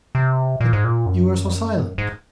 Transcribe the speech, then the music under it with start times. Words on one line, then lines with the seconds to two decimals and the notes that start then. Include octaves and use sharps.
But you are so silent.
0.15 C3
0.61 A#2
0.73 G#2
0.84 A#2
1.06 F#2
1.46 F2
1.52 F#2
1.98 G#2